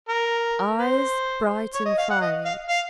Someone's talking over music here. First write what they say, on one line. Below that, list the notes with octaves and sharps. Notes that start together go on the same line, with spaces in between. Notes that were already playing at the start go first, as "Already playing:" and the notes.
EYES--Bright and fiery.
A#4
C5
C#5
D#5
F5
F#5
D#5
F5
F5